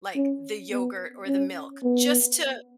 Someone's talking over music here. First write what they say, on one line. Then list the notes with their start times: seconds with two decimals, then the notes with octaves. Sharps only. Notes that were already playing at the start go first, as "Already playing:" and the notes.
like, the yogurt or the milk just to,
0.15 C#4
0.71 B3
1.27 C#4
1.84 B3